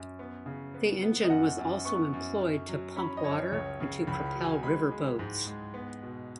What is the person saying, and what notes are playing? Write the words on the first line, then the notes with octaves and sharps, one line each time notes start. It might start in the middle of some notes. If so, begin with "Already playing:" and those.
The engine was also employed to pump water and to propel river boats.
Already playing: F#2
B3
C#3
B3
B3
D#5
F#2 F#5
F#2
B3 C#6
F#2
F#2
F#3
C#4 B5
D#5
F#2 C#5
C#2 C#5
C#3
C#2 B5
B5
F#3
G#5
G#3 B5
G#3
G#2
G#3
B3
B2